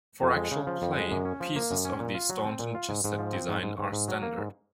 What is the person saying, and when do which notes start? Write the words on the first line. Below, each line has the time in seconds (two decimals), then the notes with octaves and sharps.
For actual play, pieces of the Staunton chess set design are standard.
0.22 F2
0.37 G#3
0.51 C#3
0.67 F3
0.82 F2
0.96 G#3
1.11 F#2
1.25 C#4
1.40 F3
1.56 A#3
1.71 F#2
1.85 C#4
1.99 A#2
2.15 F4
2.29 F#3
2.45 C4
2.59 A#2
2.75 F4
2.89 G#2
3.04 G#2
3.19 F3
3.33 C4
3.49 G#2
3.63 G#2
3.79 G#2
3.92 G#2
4.08 F#3
4.22 A#3
4.38 G#2